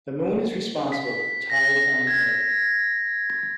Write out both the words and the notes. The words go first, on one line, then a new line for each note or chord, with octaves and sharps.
The moon is responsible for tides on earth.
B6
A#6
G#6